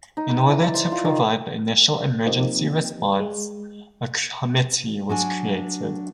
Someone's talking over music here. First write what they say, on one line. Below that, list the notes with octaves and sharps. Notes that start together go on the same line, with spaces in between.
In order to provide the initial emergency response, a committee was created.
D#4
B4
E3
D5
C5
F4
D#3
F3 A#3 C4 D#4 G4
G#3
F#3 D4 G#5